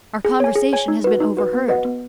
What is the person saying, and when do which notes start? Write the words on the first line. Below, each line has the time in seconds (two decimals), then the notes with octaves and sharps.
"Our conversation has been overheard."
0.25 G#4
0.40 C#5 G#5
0.56 G#4
0.73 C#5 G#5
0.88 D#4
1.04 F#4 B4
1.20 D#4
1.37 F#4 B4
1.53 B3
1.68 F#4 B4 D#5 F#5
1.85 B3